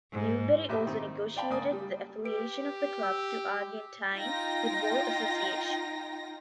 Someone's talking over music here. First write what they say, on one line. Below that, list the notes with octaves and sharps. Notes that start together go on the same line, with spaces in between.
Newbery also negotiated the affiliation of the club to Argentine Football Association.
G#2
A#1 A#3 G4 D#5 E5 D6
D#3 C4 D#4
D5 F5 G5 A5 B5
C#2 A#3 D5 G#5 D#6
G3
G4 B4 D7
E6
D#4 F4 G5 A#6